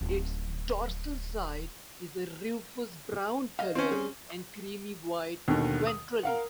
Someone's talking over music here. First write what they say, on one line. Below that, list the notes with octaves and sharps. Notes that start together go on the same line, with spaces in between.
Its dorsal side is a rufous-brown colour, and creamy-white ventrally.
D1 D#4
D#5 F5
C4 C#4
G3 G#4
D#2 B2 D3 D#3
D#6
A#4 F5 F#5